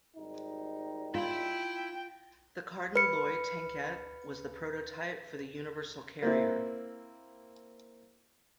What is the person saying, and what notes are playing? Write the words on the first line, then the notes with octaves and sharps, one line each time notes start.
The Carden Loyd tankette was the prototype for the Universal Carrier.
G#1 G3 D#4
E4 F4 G5 B5
B4 C#7
A#3 C4 E4